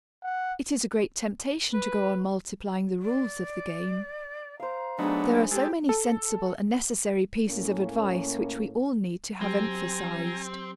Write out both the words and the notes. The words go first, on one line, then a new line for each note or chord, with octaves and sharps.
It is a great temptation to go on multiplying the rules of the game. There are so many sensible and necessary pieces of advice which we all need to have emphasized.
F#5
B4
D5
C5 F5 A#5
F#3 A3 B3 D4 D#4 G#4
G#3 G4 A4
A4
A2 A#3 C#4
F#3 C4 G4 G#5 A#5